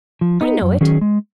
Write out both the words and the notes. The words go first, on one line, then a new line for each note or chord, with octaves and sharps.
"I know it."
F3
B3 D#4
F#2
D#3 F#3 C#4 G#4
G#3